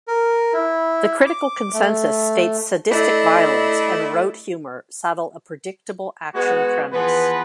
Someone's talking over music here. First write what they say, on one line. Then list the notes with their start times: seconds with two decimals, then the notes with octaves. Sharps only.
The critical consensus states Sadistic violence and rote humor saddle a predictable action premise.
0.08 A#4
0.53 E4
1.26 D6
1.73 A3
2.91 A3 D4 E4 D#5
6.34 G#3 B3 F#4
6.92 E3 F3 B3 G#4 B4